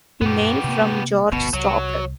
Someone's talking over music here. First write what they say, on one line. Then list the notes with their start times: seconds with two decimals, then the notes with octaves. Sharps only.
The mail from George stopped.
0.21 F#2 A#2 B3 G4
0.64 C3 A#3
1.32 D1 G1 B2 B3
1.53 C2 F#3